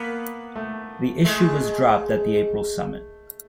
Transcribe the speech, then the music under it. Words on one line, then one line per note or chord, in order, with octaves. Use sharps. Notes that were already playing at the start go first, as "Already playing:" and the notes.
The issue was dropped at the April summit.
Already playing: A#3 B3
A3
G#3 A3